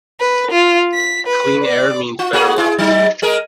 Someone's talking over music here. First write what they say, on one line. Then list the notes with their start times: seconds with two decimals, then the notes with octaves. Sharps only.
Clean air, means better lungs.
0.20 B4
0.52 F4
0.94 B6
1.27 B4
1.63 D5
2.19 F4
2.33 A#3 F#4 G#4
2.58 E4 G#4
2.79 F#3 D#4
3.22 G#3 G#4 A#4